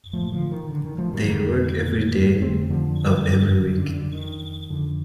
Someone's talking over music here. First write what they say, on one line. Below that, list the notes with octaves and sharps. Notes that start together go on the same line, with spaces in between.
They work every day of every week.
A2 F3 A3
D3 F3
D#3
D3
D#3
F3 A3
D#3 G3
F2 D3 D#3 G3
F2 D3 A3 C4
D3 F3
F2 D3
D3
D3
D#3
F2 D3